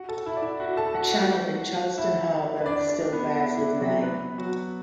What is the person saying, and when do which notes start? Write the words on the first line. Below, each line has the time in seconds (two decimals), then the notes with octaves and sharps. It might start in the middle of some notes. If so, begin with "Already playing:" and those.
A channel in Charleston Harbor still bears his name.
Already playing: F#4 F#5
0.09 A4 A5
0.26 E4 E5
0.37 D5
0.42 E4 E5
0.60 F#4 F#5
0.77 A4 A5
0.94 F#4 F#5
1.12 F#4 F#5
1.98 E4 E5
2.61 B4
2.66 D4 D5
2.89 D4 D5
3.13 B3 B4
3.36 E4
3.57 E4
3.80 F#3 F#4
4.03 B3 B4
4.38 F#3 F#4